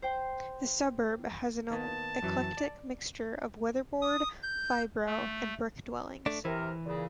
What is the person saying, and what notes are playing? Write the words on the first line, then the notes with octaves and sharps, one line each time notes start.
The suburb has an eclectic mixture of weatherboard, fibro and brick dwellings.
C5 G5
D#3 A#3 B3 A5
F#2 E3 F#3
D5
D#6
G6
A3
A3 D4
C3 E3 A#4
A#2 C#3